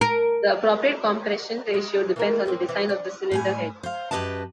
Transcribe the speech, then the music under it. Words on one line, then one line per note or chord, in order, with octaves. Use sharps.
The appropriate compression ratio depends on the design of the cylinder head.
A#4
G#3
E3 A#3 A#4
G#2 A#3 C4
E3
D4
A2 G3 G#5
C5 F5
F#2 G3 G4 B4 D#5 A5